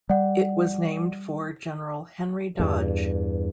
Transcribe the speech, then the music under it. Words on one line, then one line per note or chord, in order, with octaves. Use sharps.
It was named for General Henry Dodge.
G3 D5 F#5
E2 G2